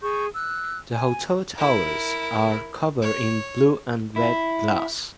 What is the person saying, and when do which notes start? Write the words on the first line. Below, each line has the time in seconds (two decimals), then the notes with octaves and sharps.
The hotel towers are covered in blue and red glass.
0.02 G#4 C#6 G6
0.35 E6 F#6
0.91 G#5
1.58 E4 A#4
3.02 C#5
4.16 E4